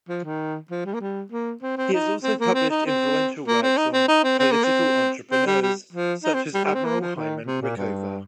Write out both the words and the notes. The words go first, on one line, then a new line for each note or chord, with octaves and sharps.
He has also published influential works on 'political entrepreneurs' such as Admiral Hyman Rickover.
F3
D#3
F3
G3
A#3
G3
A#3
C4
C4
D#4
C4
A#3
C4
D#4
C4
A#3
C4
D#4
C4
D#4
C4
C4
A#3
C4
C4
G3
G3
F3
D#4
C4
G3
G3
C4
A#3
F3
D#3
C3
A#2
G2